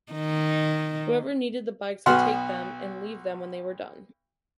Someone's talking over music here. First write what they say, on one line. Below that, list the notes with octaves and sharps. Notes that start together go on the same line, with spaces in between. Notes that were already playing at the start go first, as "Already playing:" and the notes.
Whoever needed the bikes would take them and leave them when they were done.
D#3 D#4
B1 B3 F#4 F#5 C6 F6